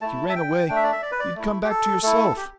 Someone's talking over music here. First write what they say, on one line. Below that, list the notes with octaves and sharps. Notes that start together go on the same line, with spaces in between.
If you ran away, you'd come back to yourself.
A3 E4 A5
E5
G5
A3 D4 G5
E5
D5
E5
D5
B4
D5
A3 E4
G4
A4
A3 E4 A4
G4